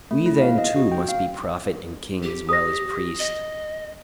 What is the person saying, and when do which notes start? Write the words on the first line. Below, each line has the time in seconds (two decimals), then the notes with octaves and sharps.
We then, too, must be prophet and king as well as priest.
0.11 A3
0.26 E4
0.41 F5
0.58 D#5
0.76 F#4
0.92 G5
1.09 F5
2.23 G4
2.49 D#6 A#6
3.19 D#5